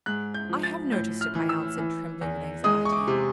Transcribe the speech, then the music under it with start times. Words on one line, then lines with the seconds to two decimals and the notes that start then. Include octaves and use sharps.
'I have noticed it,' I answered, trembling with anxiety.
0.06 G#2 F#6
0.34 G6
0.49 F3
0.63 A6
0.92 A2 G6
1.21 F6
1.35 E3
1.49 E6
1.78 E3
2.21 E2
2.64 G#3 D#6
2.85 C#6
2.92 D6
3.08 C3